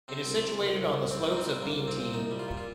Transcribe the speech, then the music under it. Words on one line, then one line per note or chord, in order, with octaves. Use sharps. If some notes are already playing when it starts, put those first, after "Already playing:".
It is situated on the slopes of Beentee.
C3 C4
C2
C3
C2
C2
C2
C2 C4
G3 D#4
C4
G3
C2 A#3
C2
C4
A#2
C2 D#4
G3
F4
A#2
F4